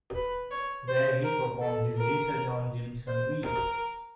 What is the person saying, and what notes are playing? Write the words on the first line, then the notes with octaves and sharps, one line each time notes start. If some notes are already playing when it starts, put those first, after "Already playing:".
There he performed his research on jimsonweed.
B4
C#5
C5
A#4
A4
A#4
C5
A#4